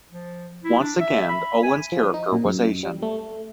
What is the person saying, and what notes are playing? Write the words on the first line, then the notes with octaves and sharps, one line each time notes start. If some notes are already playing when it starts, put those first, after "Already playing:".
Once again, Oland's character was Asian.
F3
E4
D4
E5
B5
G#5
F3
D#4
A#2
F#2
G3
A3